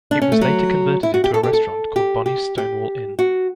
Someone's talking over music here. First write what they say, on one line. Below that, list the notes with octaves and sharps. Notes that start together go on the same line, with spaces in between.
It was later converted into a restaurant called Bonnie's Stonewall Inn.
D4
C#4
A3
F#3
E4
F#4
G4
A4
G4
A4
G4
G4
G4
F#4